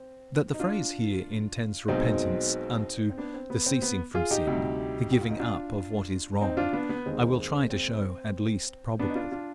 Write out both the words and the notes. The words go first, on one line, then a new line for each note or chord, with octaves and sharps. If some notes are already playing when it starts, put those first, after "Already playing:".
That the phrase here intends repentance unto the ceasing from sin, the giving up of what is wrong, I will try to show at least probable.
Already playing: C4
D#4
D4 F4
B1 B2 G#3 C4 D#4
C4
B3 D4
C4
B3
C4
B3
F4 G#4
D#4 G4
D2 C3 G3
G4
F4
D#4
D4 F4
C4 D#4
D4 F4
B3 D4
B3
D#2 D#3 G#3 C4
C4
B3 D4
D#4
D4 F4
D4 F4